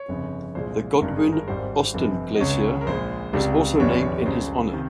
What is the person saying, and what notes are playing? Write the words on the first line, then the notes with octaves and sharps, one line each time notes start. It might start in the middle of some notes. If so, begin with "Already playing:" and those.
The Godwin Austen Glacier was also named in his honour.
Already playing: C#5
G1 F2 C#3
C2 A#2 F3 G#3 C5
G#1 G2 D#3 A#4
G#4
A#4
G#1 G#2 G3 C5
G1 F2 C3
D#5
C#2 C#3 G#3 C#5
A#4
A#1 A#2 G#3 C5
C#2 C3 G3
G1 F2 D#3 G3 C#5
C#2 C#3 G3 C5
C3 D#3